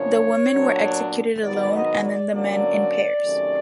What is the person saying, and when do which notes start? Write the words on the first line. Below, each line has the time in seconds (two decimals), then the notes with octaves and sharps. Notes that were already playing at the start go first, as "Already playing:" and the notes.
The women were executed alone and then the men in pairs.
Already playing: F#2 C#3 F3 A#3 D4 C#5
0.53 A#2 F#3 B3 D4
1.43 G#2 D#3 F#3 B3 D5
1.73 D#5
2.04 D5
2.33 D3 F#3 A#3 C#4 D5
3.23 C3 D#3 F#3 A3 C#4